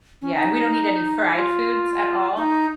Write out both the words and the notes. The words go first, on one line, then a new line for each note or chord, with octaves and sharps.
Yeah, and we don't eat any fried foods at all,
C#4
D#4
F4
D#4